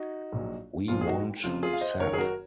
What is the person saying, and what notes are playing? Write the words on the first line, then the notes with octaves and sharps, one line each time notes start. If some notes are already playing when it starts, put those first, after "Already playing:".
We want Sapp!
Already playing: D#4 F#4
A#1 A#2 F#3
A#1 A#2 F3 F4
G#4
D#4 F#4
F1 F2 C#3 F3 F4
F4 G#4
F5
C5 D#5
F#1 F#2 D#3 A#4 C#5
G#4
F#4 A#4